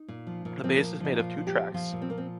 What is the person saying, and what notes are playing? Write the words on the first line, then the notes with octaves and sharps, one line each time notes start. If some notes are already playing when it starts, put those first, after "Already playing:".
The base is made of two tracks.
Already playing: D#4
A#2
F3
A#2
F3 C4
A#2 A#3
F3 D#4
A#2 F4
F3
G4
A#2
F3 F4
A#2
C4
F3 A#3
C4